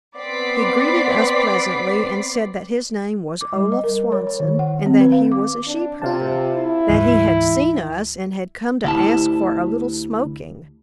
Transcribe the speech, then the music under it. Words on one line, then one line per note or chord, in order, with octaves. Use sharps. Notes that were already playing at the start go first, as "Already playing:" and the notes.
He greeted us pleasantly, and said that his name was Olaf Swanson and that he was a sheep-herder; that he had seen us and had come to ask for a little smoking.
B3 C4 D5 D6 B6 C7
D6
G3
D#5
A#4
C#5
C#5
D#3
F#5
C4
B4
F5
D6
D4
C3 F4 F5 A5
E4
D2 G#2 E3
D2 E4 G4 A5